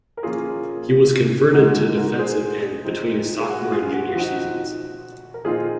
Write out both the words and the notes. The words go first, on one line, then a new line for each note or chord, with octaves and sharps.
He was converted to defensive end between his sophomore and junior seasons.
A#4
F3 A#3 C#4 F4 G#4
F3 G#3 D#4 F#4 A#4
F#4 A#4
G#4 C5
F3 C4 D#4
G#4
F#4
F4 G#4
F#4
F3 C4 D#4 F#4
A#4
A#2 F3 C4 D#4 F4 G#4